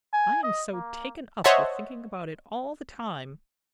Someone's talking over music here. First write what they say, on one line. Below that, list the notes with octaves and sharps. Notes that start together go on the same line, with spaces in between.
I am so taken up with thinking about it all the time.
G#5
D#5
A#3
C5 C#5 D#5 E5 F#5 A5